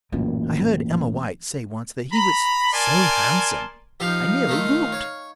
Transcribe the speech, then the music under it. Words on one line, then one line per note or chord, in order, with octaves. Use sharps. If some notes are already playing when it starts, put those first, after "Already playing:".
I heard Emma White say once that he was "so handsome"; I nearly whooped.
A1 F#2 A#2 E3
A#5 B5
A#4 D5 G#5 A5 C6
F3 D#4 G4 F5
D#3 A3 F4
C#5